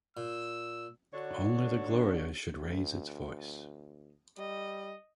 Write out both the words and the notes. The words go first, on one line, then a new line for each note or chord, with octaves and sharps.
Only the Gloria should raise its voice.
A#2 E6
D3 D4 F#4 C#5
D2
G3 D#5